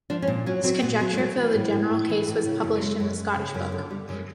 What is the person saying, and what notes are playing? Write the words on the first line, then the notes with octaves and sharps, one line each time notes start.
His conjecture for the general case was published in the Scottish book.
F3 D4
C#4
A#2 C4
F#3 C#4
F#3 C4
A#2 B3
F#3 B3
A#3
F#3 A3
E3
A2
A2
A2
E3
A2
C#3
F#2
G#3
F#2
G#3
C#3
F#2 B3
D3
G3
F#2